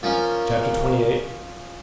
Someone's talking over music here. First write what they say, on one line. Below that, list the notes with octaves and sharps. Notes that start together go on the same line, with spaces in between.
Chapter XXVIII.
F3 A#3 C#4